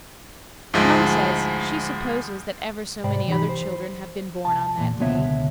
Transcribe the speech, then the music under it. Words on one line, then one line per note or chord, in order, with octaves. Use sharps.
Mama says she supposes that ever so many other children have been born on that day.
D2 G#2 F3 G#3
G#2 C3 C5 D5 G5 B5
E3 D#4 G4 B5
C5
C2 A5
E2 A#2
C#2 B2 D3 B3 C#5 E5